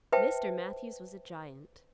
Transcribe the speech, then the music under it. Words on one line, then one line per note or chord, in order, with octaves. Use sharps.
Mr. Matthews was a giant.
B4 C5 E5 G5 A5